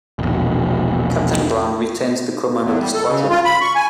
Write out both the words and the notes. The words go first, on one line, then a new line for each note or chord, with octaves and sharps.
Captain Brown retained the command of the squadron.
E1 A#1
E2
G3
A4
C#3
F4
B5
C#6
G#5